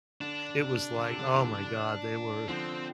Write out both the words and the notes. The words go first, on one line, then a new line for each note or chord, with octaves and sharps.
it was like oh my god, they were
D3 D4
C3
D3
C3
D3
C3 E3
D3 F3 C4